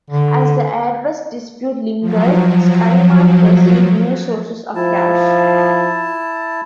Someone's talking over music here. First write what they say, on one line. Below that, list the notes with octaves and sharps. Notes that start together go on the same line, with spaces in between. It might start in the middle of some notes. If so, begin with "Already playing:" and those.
As the Airbus dispute lingered, Skymark pursued new sources of cash.
D3
F3 F#3
F3 E4 A5